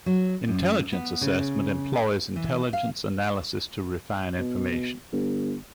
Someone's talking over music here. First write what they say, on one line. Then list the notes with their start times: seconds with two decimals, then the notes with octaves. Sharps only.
Intelligence assessment employs intelligence analysis to refine information.
0.06 F#3
0.48 F#2
0.93 B3
1.21 C#3
2.36 E3
2.73 F5
4.39 B2
5.13 G1